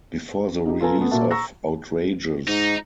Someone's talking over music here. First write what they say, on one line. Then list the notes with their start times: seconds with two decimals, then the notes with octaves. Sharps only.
Before the release of Outrageous!
0.66 D#4 G4
0.81 F4 A4 B4 G#5 A#5
0.98 A3 B3
1.11 A#2 A#3 F#4 E5 A5
1.31 A#5 C#6 E6 A#6
2.48 G#2 D#4